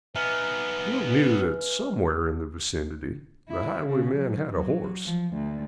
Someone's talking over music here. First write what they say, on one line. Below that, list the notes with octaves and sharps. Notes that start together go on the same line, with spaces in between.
Bill knew that somewhere in the vicinity the highwayman had a horse.
B3 D#4 B4 E5 G#5 F6
E4
C#3
F#3
F#3
F3
D2